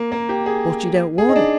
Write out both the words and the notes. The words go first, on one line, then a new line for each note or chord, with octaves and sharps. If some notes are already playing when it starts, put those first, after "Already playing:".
"But you don't want it!"
Already playing: A#3
A#3
G4
G#4
G#4
D#4
D4